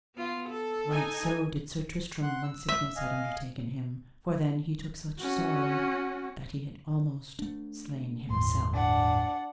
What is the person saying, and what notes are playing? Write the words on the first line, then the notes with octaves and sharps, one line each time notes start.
Right so did Sir Tristram when sickness had undertaken him, for then he took such sorrow that he had almost slain himself.
B3 F4
A4
D#4 G#5
F#5 C6 F#6
E6
E5
D#5 F5 G#5
C#4 F#4
A3 D4
G1 E2 A2 C6
D4 F#5